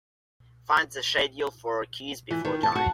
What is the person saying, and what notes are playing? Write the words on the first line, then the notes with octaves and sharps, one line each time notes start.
Find the schedule for A Kiss Before Dying.
E3
D#3
A5
F#4